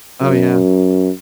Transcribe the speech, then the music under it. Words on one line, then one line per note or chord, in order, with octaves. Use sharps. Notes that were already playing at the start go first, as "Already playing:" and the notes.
Oh, yeah.
F#2